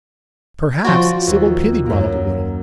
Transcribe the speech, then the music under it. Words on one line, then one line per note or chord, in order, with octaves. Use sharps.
Perhaps Sybil pitied Ronald a little.
F3 F4 F#4 D5
D#2
F#2 A#3